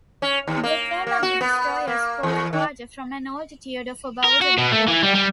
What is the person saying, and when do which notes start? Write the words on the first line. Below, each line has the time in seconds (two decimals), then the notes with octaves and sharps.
They came at the destroyer's port quarter from an altitude of about above water.
0.22 C#4
0.47 D#2
0.64 A#3
1.07 A#3
1.23 F#4
1.41 B3
1.87 A#3
2.23 E2
2.53 D#3
4.24 A#4
4.41 F#4
4.58 B2
4.72 A3
4.88 E3
5.03 G3
5.15 G3